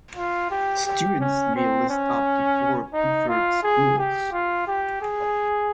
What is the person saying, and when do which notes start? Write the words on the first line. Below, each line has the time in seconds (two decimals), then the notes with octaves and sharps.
Students may list up to four preferred schools.
0.16 F4
0.51 G4
0.86 G4
1.21 C#4
1.55 C4
1.90 C#4
2.94 D#4
3.29 F4
3.63 G#4
3.98 G4
4.32 F4
4.67 G4
5.02 G#4